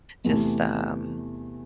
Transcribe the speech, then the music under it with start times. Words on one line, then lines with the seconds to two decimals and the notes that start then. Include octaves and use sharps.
just, um,
0.24 E2 C3 E3 A3